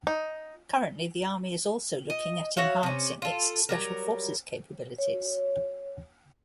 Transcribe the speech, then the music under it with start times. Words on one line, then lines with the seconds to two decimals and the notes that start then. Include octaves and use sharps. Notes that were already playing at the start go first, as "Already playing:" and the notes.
Currently, the army is also looking at enhancing its special forces capabilities.
0.07 D#4
2.10 D#5
2.57 F#4 C#5 E5 F5
2.83 C3 C#4
3.22 F4 A4
3.69 F#3 G3 A#4
4.98 C#5